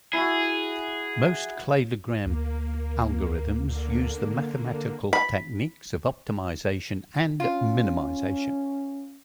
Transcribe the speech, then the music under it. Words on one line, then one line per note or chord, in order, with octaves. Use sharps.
Most cladogram algorithms use the mathematical techniques of optimization and minimization.
E4 F#4 G#4
D2 A#3
D3 A#3
B5
C#4 F4